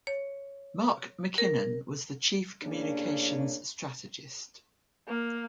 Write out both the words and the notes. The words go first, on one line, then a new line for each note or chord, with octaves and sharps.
Mark McKinnon was the chief communications strategist.
C#5
A#4
A2 C#3 A#3 C#4 D4
A#3